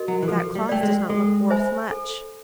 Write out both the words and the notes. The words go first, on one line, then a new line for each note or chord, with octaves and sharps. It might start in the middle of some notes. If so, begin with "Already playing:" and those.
'That cloth does not look worth much!'
Already playing: F#4 A#4 D#5
F#3
E3
F3 A4
G3
A3 D5 G5
G#3
G#3 A4
C5 E5 G#5 B5
A4